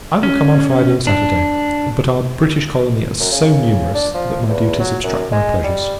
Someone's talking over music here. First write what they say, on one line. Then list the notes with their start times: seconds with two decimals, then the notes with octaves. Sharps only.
I will come on Friday or Saturday; but our British colony are so numerous, that my duties obstruct my pleasures.
0.23 C#4
1.07 D4
3.20 F#2
3.32 C#3
3.94 D4
4.13 F3
4.48 E2
4.79 F#3
5.04 F#2
5.32 G#3
5.64 G3